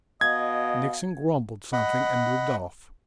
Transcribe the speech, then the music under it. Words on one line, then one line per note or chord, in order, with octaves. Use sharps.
Nixon grumbled something and moved off.
B2 D#5 F5 G#6
D#5 F#5 B5